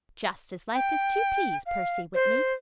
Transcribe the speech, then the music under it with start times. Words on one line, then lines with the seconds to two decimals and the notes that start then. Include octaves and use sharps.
"Just as like as two peas, Percy Whitney."
0.75 G5
1.66 F5
2.14 C5